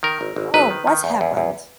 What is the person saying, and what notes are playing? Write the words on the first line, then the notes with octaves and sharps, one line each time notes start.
Oh, what's happened?
D#3 A#4
G#1
G#1
G#1 B4
D#3
D#3
E2
E2
E2